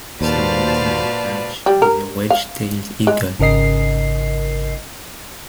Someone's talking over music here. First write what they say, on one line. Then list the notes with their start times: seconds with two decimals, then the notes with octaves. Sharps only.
Surmounting the badge is a wedge-tailed eagle.
0.21 D#2 A#2 F#4 B4 C5 D5 F5 A5
1.66 G3
1.82 A#4
2.30 F5
3.07 G#3
3.39 G#1 C#3 A#4 D#5 C7